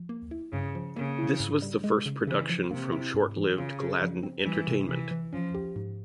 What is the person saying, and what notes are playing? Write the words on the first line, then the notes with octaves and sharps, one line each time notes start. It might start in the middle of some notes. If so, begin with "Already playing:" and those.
This was the first production from short-lived Gladden Entertainment.
Already playing: F3
A#3
E4
G2 C#3
F3
C#3 A#3
E4
G#2
G3
G#3
C#3
C#3 E3
F3
C3 A#3
E4
G#2
E3
C#3 F4
G#4
F3
C4
E3 G3
C3
C3 E3
E3
F3 C#4
G4
G#2